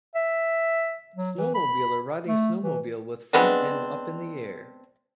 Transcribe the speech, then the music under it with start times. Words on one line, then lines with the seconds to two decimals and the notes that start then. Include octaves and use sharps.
Snowmobiler riding snowmobile with front end up in the air.
0.15 E5
1.16 F#3
1.37 E3
1.55 B5
2.27 A3
2.63 E3
3.33 G#3 B3 C4 D4